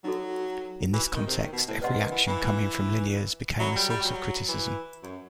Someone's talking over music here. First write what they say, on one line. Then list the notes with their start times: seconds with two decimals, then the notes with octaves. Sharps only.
In this context, every action coming from Liniers became a source of criticism.
0.04 F#3 D#4 F#4 A4
0.93 E3
1.15 D#3
1.27 C3
1.38 D#3
1.52 B2
1.68 A2
1.82 C3 B4 D#5 F#5 C6
1.97 D#3
2.11 E3
2.27 E3
3.59 F#3 A4 E5 B5
3.75 G3
3.90 G3
4.05 F#3
4.49 E3
5.03 F#2